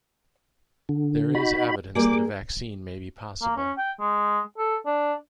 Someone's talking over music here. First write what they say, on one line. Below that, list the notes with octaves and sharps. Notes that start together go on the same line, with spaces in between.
There is evidence that a vaccine may be possible.
D3
D#4 F#4 B5
G3 A#3 G#4 D6
A#3
C#4
G5
G#3
A4
D4